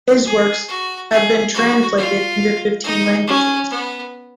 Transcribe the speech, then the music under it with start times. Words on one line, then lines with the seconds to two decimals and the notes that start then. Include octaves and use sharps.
His works have been translated into fifteen languages.
0.25 G#4
0.68 F#4
1.11 G#4
1.54 F#4
1.97 F4
2.84 D#4
3.27 C#4
3.70 B3